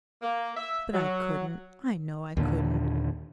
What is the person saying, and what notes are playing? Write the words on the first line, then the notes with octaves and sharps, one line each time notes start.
But I couldn't, I know I couldn't.
A#3
E5
F#3
D#2 A#2 D3